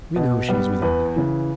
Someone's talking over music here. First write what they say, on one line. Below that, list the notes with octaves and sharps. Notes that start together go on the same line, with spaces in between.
We know she is within there.
B2
G3 B3
E2 B4
C#3 E3